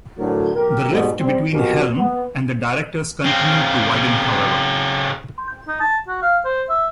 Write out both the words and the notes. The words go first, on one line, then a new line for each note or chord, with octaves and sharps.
The rift between Helm and the directors continued to widen, however.
D2 A2 D3 F#3 A#4
B1 G4 A#4
G#2 B2 G3 G#3
G3 C4
B1 F2 B2 G4 A#4
B3
C#3 C4
D#4
A5
F#4
F5
C5
E5